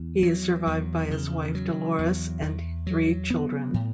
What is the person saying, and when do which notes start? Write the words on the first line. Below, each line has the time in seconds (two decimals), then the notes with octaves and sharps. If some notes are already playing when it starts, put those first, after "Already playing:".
He is survived by his wife DeLores and three children.
Already playing: E2
0.23 F#3
0.67 E2
1.11 C#3
1.55 F#3
1.99 E2
2.43 E2
2.87 F#3
3.30 B3
3.74 A2